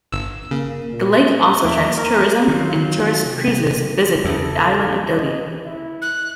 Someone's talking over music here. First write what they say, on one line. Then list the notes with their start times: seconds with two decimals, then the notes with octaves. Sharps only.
The lake also attracts tourism, and tourist cruises visit the island of Dodi.
0.12 G1 E6
0.51 C#3 A#3
0.92 A#2
1.64 E2 F3 A#3 A#4 E5
1.97 A#4
2.48 D#3 F#3 F4
3.25 C3
4.25 E2 C#3 A4
5.16 D#5
5.65 E4
6.02 F#6